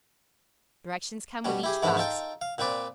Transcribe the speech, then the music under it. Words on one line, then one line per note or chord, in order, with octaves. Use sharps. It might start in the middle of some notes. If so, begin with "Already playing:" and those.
Directions come with each box.
B2 G3 C#4
E4 G4 G#4
A#1 G#2 E3 A3 B3 E4
D#4 F4 A4 G5
F5
A#2 C4 B4 D5